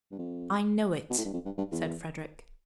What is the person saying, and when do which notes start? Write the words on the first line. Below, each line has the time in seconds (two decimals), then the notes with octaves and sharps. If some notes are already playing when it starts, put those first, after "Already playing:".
"I know it," said Frederick.
0.11 G2
0.18 F2
1.10 B2
1.18 A2
1.25 G2
1.33 F2
1.45 G2
1.57 G2
1.71 E2